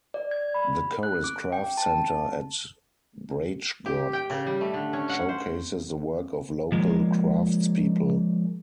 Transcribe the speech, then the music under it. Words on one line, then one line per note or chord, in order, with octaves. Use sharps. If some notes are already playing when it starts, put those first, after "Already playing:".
The Corris Craft Centre at Braichgoch showcases the work of local craftspeople.
D5
G#6
B5
F#6
D6
G5
A5
G4
G5
C#3
G3
A3
D3
C#4
F#5
C5
F3 G#3 A#3